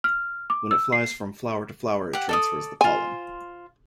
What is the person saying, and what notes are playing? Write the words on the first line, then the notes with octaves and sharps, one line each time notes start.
When it flies from flower to flower, it transfers the pollen.
F6
D6
E6
C7
G4 F#5
A4 D5 D#6
F4 C5 G#5